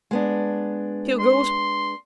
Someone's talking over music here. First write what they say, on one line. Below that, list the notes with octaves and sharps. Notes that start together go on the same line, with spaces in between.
'Here goes!
G#3 B3 D4
C6